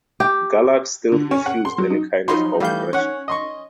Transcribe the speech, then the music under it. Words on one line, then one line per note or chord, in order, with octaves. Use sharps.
Galard still refused any kind of cooperation.
G4
D3
C#4
F#5
C6
F#3
D#4
F3 F#3 D#4 B5 C6
E3 G3 A3 F5 G6
C#4 C#5 F#5
D#5 C6 C#6